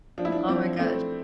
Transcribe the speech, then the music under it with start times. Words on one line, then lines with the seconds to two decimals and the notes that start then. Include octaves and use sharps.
oh my gosh.
0.18 F3 D4
0.25 E4
0.32 D4
0.48 F3 C4
0.79 A3 C4